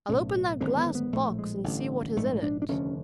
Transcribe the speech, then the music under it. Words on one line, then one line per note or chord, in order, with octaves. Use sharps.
"I'll open that glass box and see what is in it."
B1 A2 C#4
G#1 F#2 D3 C4
B3
B3
A#1 A2 A3
G#3
A1 G2 D3
A#1 G#2 A3
D4
D4
F1 D#2 D3 C#4